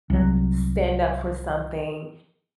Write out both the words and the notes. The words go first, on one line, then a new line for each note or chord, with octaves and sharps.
stand up for something,
C2 F#3